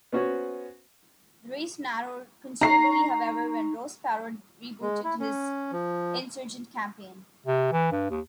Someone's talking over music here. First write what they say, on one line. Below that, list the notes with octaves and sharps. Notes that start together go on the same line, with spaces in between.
The race narrowed considerably, however, when Ross Perot rebooted his insurgent campaign.
B3 C#4 F#4 C5 C#5
D#4 A#5 C#6 C7
G#3
E4
C#4
F3
C3
E3
G2
D#2